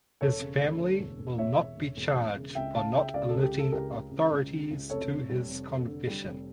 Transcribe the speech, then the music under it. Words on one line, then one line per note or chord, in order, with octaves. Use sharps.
His family will not be charged for not alerting authorities to his confession.
E1 A4 C#5
C#3
D2
D2
E1
E1
E1 C#5 E5
E1
E1
E1
E1
C#3
C#2 E5 G5
C#3 F5 A5
C#3 E5 G5
C#2 D5 F5
A4
C#2
G4
C#3 A4
C#2 G4 A#4
C#3
C#2
C#2
C#3
C#2
F1 A4 C#5
F1
G3
F1
F1
D3
G3
F1